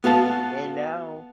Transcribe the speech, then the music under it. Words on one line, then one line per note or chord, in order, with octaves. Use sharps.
and now
B3 F#4 F5 A5